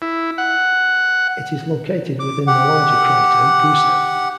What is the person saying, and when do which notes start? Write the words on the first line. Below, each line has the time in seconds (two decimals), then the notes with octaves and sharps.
It is located within the larger crater Gusev.
0.02 E4
0.38 F#5
2.20 D6
2.47 G4 F#5